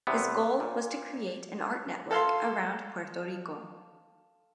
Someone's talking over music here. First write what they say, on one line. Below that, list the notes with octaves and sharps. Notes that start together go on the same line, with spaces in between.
His goal was to create an art network around Puerto Rico.
E2 C3 B3
A#2
A4 F5 C6